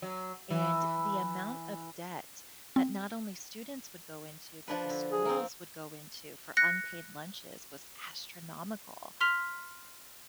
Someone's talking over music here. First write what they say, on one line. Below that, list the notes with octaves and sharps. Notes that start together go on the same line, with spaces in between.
and the amount of debt that not only students would go into, but the schools would go into for unpaid lunches was astronomical,
F#3
E3
C4
F3 D4 B4
D3
G#4
A#3 C4
F#6 A#6 C#7
C6 F6 B6 F7